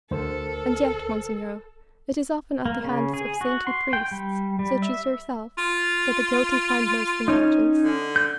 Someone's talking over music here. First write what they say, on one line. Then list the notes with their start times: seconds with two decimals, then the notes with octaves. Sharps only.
And yet, Monseigneur, it is often at the hands of saintly priests, such as yourself, that the guilty find most indulgence.
0.11 D2 A4 A#4 C5
2.66 A#3
2.84 C#3
3.14 G#4
3.41 F#4
3.67 C6
3.93 G5
4.11 G3
4.59 G3
4.82 E5
5.58 F4
7.28 C#4 D#4
7.82 D3
8.16 G6